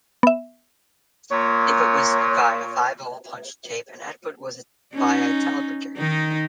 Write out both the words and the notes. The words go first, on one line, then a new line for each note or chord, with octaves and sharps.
Input was via five-hole punched tape and output was via a teleprinter.
B3 E5
A#2 C#5
C#4 D#4
D#3 D#4